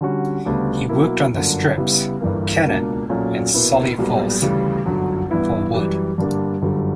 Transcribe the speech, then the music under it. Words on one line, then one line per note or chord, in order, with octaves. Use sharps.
He worked on the strips "Cannon" and "Sally Forth" for Wood.
D3 G3 C#4 F#4
D2 C#3 G3 B3 D4
B2 F#3 A#3 E4
G1 F#2 D3 A#3
C#3 G3 B3 E4
G1 G2 E3 A#3
C#2 B2 A#3 D4
B1 A#2 F#3 C#4
B2 A#3 E4 B4
B1 A#2 G3 B3
D2 C#3 E3 G3
G1 F#2 D3 F#3
G2 E3 B3 E4 B4
F#2 E3 G3
G2 D3 G3 A#3 D4
G1 F#2 D3 G3